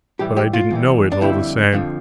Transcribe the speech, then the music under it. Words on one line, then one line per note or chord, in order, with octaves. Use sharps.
But I didn't know it, all the same.
A2 E3 G3 G4
G4
F4
E2 E3 G3
D4
F2 D3 G3 E4
F2 D3 F3